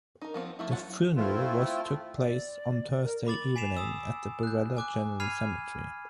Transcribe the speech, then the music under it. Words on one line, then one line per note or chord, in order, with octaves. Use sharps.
The funeral was took place on Thursday evening at the Borella General Cemetery.
D#4 A#4
F3 B3 C4
F3 A3 E4
F#3 F4 F#5
A3 C4 E4 F4
D5
A#4
B5 D6 A6 F#7
G#5 B6 C7 D7 E7 F7
D#6 E6
F#6 G6
G#5 D6 F#6
B5 F6 G#6 C7 D#7 F7